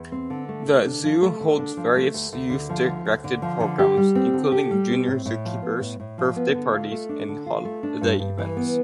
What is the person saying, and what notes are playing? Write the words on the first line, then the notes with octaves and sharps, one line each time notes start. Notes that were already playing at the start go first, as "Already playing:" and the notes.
The zoo holds various youth-directed programs, including Junior Zookeepers, birthday parties and holiday events.
Already playing: E2
C4
D3
A3
D3
D4
F3
A3
D3
D4
F3
A3
D2
D2
D3
F3
D2
D2
D3
F3
D3
G4
G3
C4
D3
G4
G3
C4
A2
A2
F3
B3
A2
A2
F3
B3
D3
F4
A3
D4
D3
F4
A3
D4
G2
G2
E3
B3